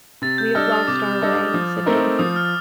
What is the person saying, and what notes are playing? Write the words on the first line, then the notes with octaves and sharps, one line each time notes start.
"We have lost our way," said Dorothy.
C3 A6
G6
G3 D4 A4 D#5 F6
D#6
C3 D6
G3 D4 A4 D#5
F3
A3 C4 D#4 A#4
F3 D#6
F6